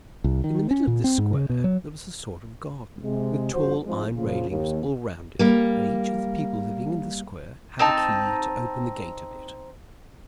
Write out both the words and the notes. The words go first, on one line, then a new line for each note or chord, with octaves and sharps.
In the middle of this Square there was a sort of garden with tall iron railings all round it, and each of the people living in the Square had a key to open the gate of it.
C2
D#3
C#4
A#2
C4
G#2
C#3
B2
F#3
C3 G#3
G1 F3 F#4 C5
G#2 C3 F3 G#3
A#2 C#3 F3 F4
D#2
G3 A#3
C4 D#4 A5